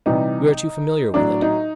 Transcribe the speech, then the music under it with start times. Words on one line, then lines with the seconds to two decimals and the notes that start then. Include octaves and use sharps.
We are too familiar with it.
0.06 C3 E3 G3 D#4
1.14 A2 F#3 D4
1.42 D#4